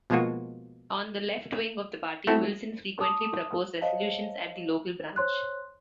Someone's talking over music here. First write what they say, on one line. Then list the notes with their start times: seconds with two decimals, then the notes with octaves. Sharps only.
On the left-wing of the party, Wilson frequently proposed resolutions at the local branch.
0.10 B2 F3 G#3 A#3 F4 F#4
2.27 A3 C4 E4 F#4 A4
3.01 A5 D6 D#6
3.81 C5 C#5 D#5 F5 A5
5.16 C5 C#5 C6 F#6